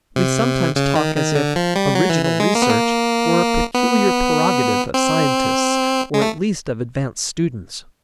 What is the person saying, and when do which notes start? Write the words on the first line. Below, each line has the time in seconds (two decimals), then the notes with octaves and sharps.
We sometimes talk as if "original research" were a peculiar prerogative of scientists or at least of advanced students.
0.16 C3
0.76 C#3
0.96 D#3
1.15 D#3
1.35 D3
1.56 F3
1.76 G3
1.95 F#3
2.10 E3
2.25 E3
2.40 G#3
2.55 A#3
2.62 B3
2.69 A#3
3.75 B3
4.94 C4
6.14 G#3
6.22 A3